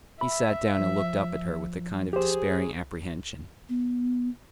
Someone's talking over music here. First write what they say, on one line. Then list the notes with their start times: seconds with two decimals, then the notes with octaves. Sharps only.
He sat down and looked up at her with a kind of despairing apprehension.
0.21 E5 B5
0.79 F3
2.13 G4 G#4 C5
3.69 B3